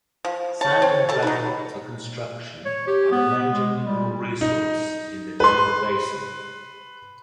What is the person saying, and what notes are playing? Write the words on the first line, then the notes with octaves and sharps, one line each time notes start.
Sand and gravel for construction are a major mineral resource in the Denver Basin.
F3
C#5 A5
C4
A4 A5
F#3 D#4 B4
C#5
G4
B3
G#3
G3
D#4
B4 C6